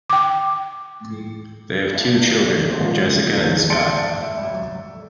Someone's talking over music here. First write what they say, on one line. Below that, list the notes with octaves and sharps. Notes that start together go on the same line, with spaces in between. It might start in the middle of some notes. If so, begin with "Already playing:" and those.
They have two children, Jessica and Scott.
G5 D6
A#2 C#3 F3 G#3 A#3
A#1 D#3 G6
D5 A5 C6 A6 C#7 D7
E5